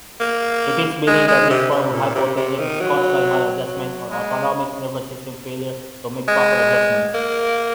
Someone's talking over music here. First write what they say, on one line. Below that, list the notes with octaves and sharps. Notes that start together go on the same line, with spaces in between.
It is believed that this form of hypotension is caused by maladjustment or autonomic nervous system failure to make proper adjustments.
A#3
G#3
G#3
C3
C3
A#2
C3
C3
D#3
F#3
F#3
G#3
G#3
A#3